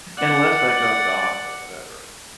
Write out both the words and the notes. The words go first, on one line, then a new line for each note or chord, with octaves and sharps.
unless they go goth, or whatever.
D5 F#5